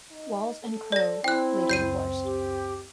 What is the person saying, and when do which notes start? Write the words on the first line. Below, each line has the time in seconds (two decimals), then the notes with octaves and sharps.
Walls and Crowe later divorced.
0.11 D#4
0.63 A4
0.92 D5 A#6
1.24 C4 E4 G5 F#6
1.69 C#2 F#2 G6 C7 D#7
2.24 G4